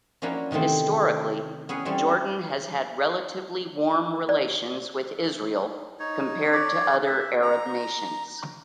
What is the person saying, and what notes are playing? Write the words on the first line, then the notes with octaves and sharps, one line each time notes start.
Historically, Jordan has had relatively warm relations with Israel compared to other Arab nations.
F3 A#3 C#4 D4 E4 F#4
C3 D#3 E3 A3 C4
B3 C#4 G#4 F#5
E3 G3 C4 C#4 A4
D5
D#4 C#5
C#5 D5
E5
A#5